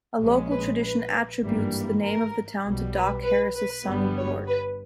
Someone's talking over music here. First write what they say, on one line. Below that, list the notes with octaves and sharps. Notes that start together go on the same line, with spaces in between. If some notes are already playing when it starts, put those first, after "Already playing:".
A local tradition attributes the name of the town to Doc Harris's son Ward.
A#1 A#2 G#3 C#4
B4
B4
G#1 G2 E3 G3 A#3
A#4
B1 B2 G3
B4
B4
B4
G1 G2 G3 B3
C#5
B4